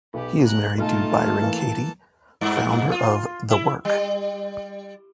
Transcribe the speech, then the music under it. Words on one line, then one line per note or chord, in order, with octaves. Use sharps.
He is married to Byron Katie, founder of The Work.
B1 B3 G4
A#4 F#6
B1 A3 D#4 F4 A4 A5
E3 A#3
G2
F4
E4
G3